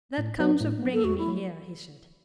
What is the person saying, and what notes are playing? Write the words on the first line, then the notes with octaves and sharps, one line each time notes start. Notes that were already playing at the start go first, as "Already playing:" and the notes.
"That comes of bringing me here," he said.
A2
F#3 B3
A2
F#3 B3
A4
E2 F#4
E4
F#3 A3